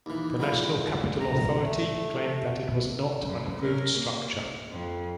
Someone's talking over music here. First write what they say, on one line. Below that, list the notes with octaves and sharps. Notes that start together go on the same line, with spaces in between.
The National Capital Authority claimed that it was not an approved structure.
D#2 E3
F#3 G#3 E4 F4
A#5
A3
F#2 C#3
C#4 A#4
A#3
F2